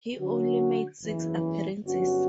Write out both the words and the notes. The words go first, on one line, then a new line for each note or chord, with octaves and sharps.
He only made six appearances.
D3 F#3 C#4 F#4
F#1 E2 C#3 E3
G1 G2 F#3 C#4 F#4